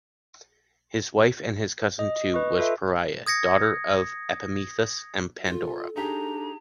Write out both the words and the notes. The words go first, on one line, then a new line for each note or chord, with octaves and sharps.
His wife, and his cousin too, was Pyrrha, daughter of Epimetheus and Pandora.
D#5
B4 D#5 C#6
F4 A4 B4 E5
D#6 G#6 A#6 C#7
F4 A4
D4 D#4 G4 G#4 A#5